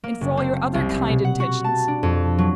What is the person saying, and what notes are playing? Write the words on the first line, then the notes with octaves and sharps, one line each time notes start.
And for all your other kind intentions!
A#3
F#1
C4
C2
B2
F#5
F#4
A5
D4
F2
F#3